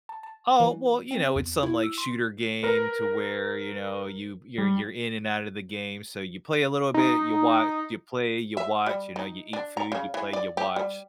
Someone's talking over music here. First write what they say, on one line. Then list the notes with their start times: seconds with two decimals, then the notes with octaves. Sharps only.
Oh, well, you know, it's some, like, shooter game to where, you know, you you're you're in and outta the game, so you play a little bit, you watch, you play, you watch, you know, you eat food, you play, you watch.
0.09 A5
0.23 A5
0.60 E3
1.11 C4
1.36 E2
1.63 E4
1.83 E6
1.98 C6
2.63 A#4 B4
4.58 G3
6.94 D#4
8.57 E5
8.86 G3
9.16 D#4
9.53 D4
9.77 A#5
9.92 C#3
10.14 E3
10.33 D5
10.57 G4
10.76 G3